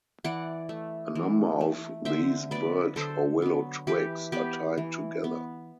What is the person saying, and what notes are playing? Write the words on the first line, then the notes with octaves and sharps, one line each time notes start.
A number of these birch or willow twigs are tied together.
E3 D5 F#5
A3
E3
A3
D3 C5 E5
F#3 B3 B4 D5
D3 A4 C5
F#3 B3
E3 G4 B4
B3 G4 B4
E3
B3